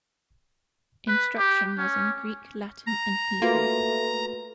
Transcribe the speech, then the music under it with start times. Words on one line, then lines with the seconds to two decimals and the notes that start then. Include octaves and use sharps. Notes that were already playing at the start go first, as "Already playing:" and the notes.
Instruction was in Greek, Latin, and Hebrew.
1.08 B4
1.38 G4
1.78 C#4
2.87 A#5
3.42 A3 A#3 F4 F#4 B4